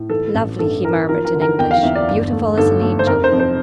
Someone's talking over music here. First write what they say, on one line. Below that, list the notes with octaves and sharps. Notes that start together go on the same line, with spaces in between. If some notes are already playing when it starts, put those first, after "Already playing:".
"Lovely!" he murmured, in English; "beautiful as an angel!"
Already playing: A2
E3 A4
A1
G2 A4
E3 A#4
F3 A#4
A#4
D3
A#4
E2 G5
F5
E2 E5
D5
G1
A3
G1 A4
A3
C5
F1 A#4
C5
F2
C5